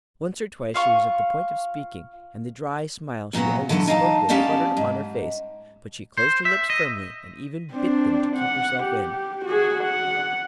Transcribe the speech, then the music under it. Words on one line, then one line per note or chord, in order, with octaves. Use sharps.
Once or twice she was at the point of speaking, and the dry smile she always spoke with fluttered upon her face; but she closed her lips firmly and even bit them to keep herself in.
F4 F5 C#6
F#2 A#2 F#3 B3
D3 E3 F#3 B3 E4
D#4 F5 G#5 A5
B3 C#4 G4 D5 F5 A5
G#2
C5
E5
D#5
C4 D4
F#5
G4
F#4 G#4
F#5